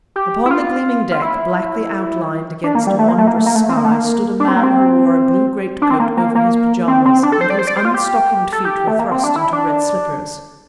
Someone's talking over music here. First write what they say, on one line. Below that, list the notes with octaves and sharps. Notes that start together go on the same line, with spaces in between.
Upon the gleaming deck, blackly outlined against a wondrous sky, stood a man who wore a blue greatcoat over his pyjamas, and whose unstockinged feet were thrust into red slippers.
G4
E4
F4
F4
E4
D4
A#3
G3
A3
A#3
A3
A#3
A3
A#3
A3
C4
A#3
A3
A#3
D4
C4
A#3
C4
D4
C4
A#3
A#3
A#3
C4
C4
D4
A4
C5
D5
C5
D5
C5
F4
G4
A4
G4
A3
A#3
C4
D4
E4
D4